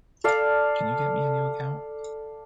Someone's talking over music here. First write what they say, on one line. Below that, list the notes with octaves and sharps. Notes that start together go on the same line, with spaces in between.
Can you get me a new account?
A4 D5 F5